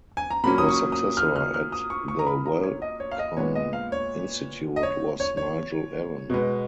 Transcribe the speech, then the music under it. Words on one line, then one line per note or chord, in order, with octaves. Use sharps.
Her successor at the Wellcome Institute was Nigel Allan.
G#5
A#5
A#2 F#3 A#3 C#4 B5
D#6
C#6
D#6
F6
F6
F6
D#6
C#6
C#6
A#5
B5
A#5
C#5
D#5
C#5
F5
D#5
A#2 G#3 B3 C#5
D#5
F5
C#5
D#5
C#5
C#5
C#5
B2 G#3 B3